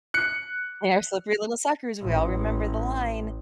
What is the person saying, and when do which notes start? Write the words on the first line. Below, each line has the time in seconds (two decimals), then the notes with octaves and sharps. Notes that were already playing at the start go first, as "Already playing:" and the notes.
They are slippery little suckers. We all remember the line.
0.14 F#6 C#7
2.01 A1